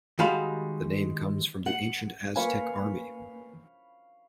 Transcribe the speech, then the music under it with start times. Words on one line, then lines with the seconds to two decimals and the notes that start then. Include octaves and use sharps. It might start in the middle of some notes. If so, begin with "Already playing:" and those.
The name comes from the ancient Aztec army.
0.19 D#3 G3 G#3 F#4 F5 B5
1.66 F#5
2.36 A#3 B4 F5 G#5 B5 C#6